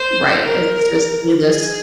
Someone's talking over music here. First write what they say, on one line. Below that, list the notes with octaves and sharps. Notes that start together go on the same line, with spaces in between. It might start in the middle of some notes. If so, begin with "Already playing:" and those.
Right. It's just, "Do this"
Already playing: C5
A#4
G#4